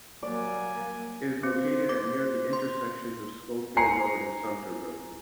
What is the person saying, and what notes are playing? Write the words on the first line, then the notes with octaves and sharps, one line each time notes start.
It is located at near the intersections of Scofield Road and Sumpter Road.
F#3 G3 A#3 D5 G#5
C4 C5
D6
C6
G#5 A#5 C7 C#7